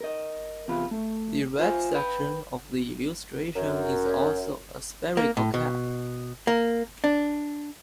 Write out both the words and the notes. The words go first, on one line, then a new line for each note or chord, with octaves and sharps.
The red section of the illustration is also a spherical cap.
A#4 D#5
E2 C3 F4 B5
A3
F4 C5 G#5
B4 G5 B5
F#2
A#3
A2
B2
A#3
D4